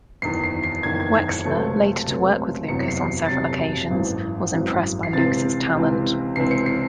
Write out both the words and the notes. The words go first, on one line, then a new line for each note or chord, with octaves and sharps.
Wexler, later to work with Lucas on several occasions, was impressed by Lucas' talent.
F#1 E2 D#3 C7
C7
C7
F#1 E2 D#3 G#6
G#6
G#6
C#7
C#2 C3 F#3 A3 C4
C#2 C3 F#3 A3 C4
F#1 E2 C3 F#3 C#7
C#7
C7
A6
F#1 E2 C3 F#3 C7
G#1 F#2 E3
G#1 F#2 E3
C7
C#2 C3 E3 C4 A6
C#2 C3 E3 C4
C#2 C3 E3 C4 C7
C#7
C7